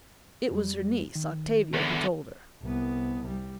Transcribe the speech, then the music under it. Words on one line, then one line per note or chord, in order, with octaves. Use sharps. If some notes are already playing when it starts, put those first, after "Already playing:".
It was her niece, Octavia, who told her.
F2 G3
D#3
E2 D3
C2 B3
G3